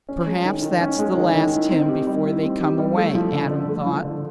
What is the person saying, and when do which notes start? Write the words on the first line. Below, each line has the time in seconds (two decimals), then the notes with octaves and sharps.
"Perhaps that's the last hymn before they come away," Adam thought.
0.09 C#4
0.27 G#3
0.45 D#3
0.62 D#3
0.81 C#4
0.99 G#3
1.17 D#3
1.34 D#3
1.53 E4
1.71 C4
1.89 G4
2.07 G3
2.25 E4
2.43 C4
2.61 G4
2.79 G3
2.97 A3
3.15 F3
3.32 D3
3.51 D3
3.69 A3
3.86 F3
4.04 D3